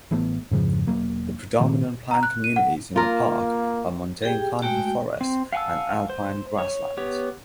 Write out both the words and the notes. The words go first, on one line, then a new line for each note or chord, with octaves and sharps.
The predominant plant communities in the park are montane conifer forests and alpine grasslands.
A1 E3 A3 B3
F2 G#2 C#3 F3
E1 F#3 A#3
A#2 D#3 A3
A#5
F#6
D#7
F#5
A#3 F4 A#4
G4 G#4 G5
G#3 A3 F#4 G5
C4
F5 F#5 G#5 A5 E6
C5
C#5
B3 G4 C#5